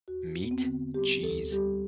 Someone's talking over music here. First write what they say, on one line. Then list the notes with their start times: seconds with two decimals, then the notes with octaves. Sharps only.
meat, cheese,
0.08 E2 F#4
0.37 E2
0.44 B3
0.51 C4
0.66 D3
0.94 G3 G4
1.23 D2 A4
1.52 G3 G4